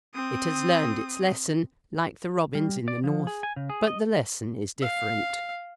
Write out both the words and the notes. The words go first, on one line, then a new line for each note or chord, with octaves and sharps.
It has learnt its lesson like the robins in the north, but the lesson is different.
C4 D#6
G3
D5
F3
G#4
G#5
C#3
G#4
D#5
F5